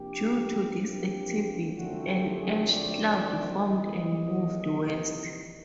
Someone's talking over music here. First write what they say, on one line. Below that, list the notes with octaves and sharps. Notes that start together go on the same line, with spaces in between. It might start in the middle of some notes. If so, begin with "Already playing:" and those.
Due to this activity, an ash cloud formed and moved west.
Already playing: C3 F3 A#3 D4 G4
G4
F#2 D3 F3 A3 C4 F#4
G4
G#4
D5
F2 C3 E3 G3 A#3 D#5